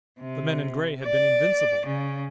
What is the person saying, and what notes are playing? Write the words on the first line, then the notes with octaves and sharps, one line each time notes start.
The men in gray had been invincible.
C3
D5
C#3